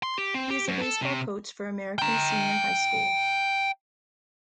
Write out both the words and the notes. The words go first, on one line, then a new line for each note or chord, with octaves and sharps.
He is a baseball coach for American Senior High School.
C6
G4
C4
G4
F#2
A4
C3
G5 A#5